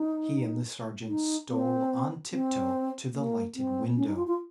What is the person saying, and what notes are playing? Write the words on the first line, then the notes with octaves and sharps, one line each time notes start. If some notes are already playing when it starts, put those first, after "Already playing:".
He and the sergeant stole on tiptoe to the lighted window.
Already playing: D#4
D#4
C4
C4
A#3
C4
C#4
D#4
F4
F4